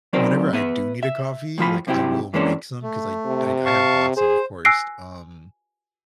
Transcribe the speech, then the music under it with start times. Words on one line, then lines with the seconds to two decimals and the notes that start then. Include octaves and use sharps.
whenever I do need a coffee, like, I will make some 'cause I I I have bought some, of course, um
0.13 F#3 C4 D#4 A#4 C5 D5
0.53 B3 B4 E5
1.03 E5
1.58 A2 F3 F4 B5
1.87 F#2 C3 E4 F#4 G4
2.34 E3 G#3 A#3 C#4 D4
2.82 A3
3.26 C3
3.65 F5 A5 C#6
4.16 G#4 C5
4.65 G#5 E6 F#6 A#6 C7 D7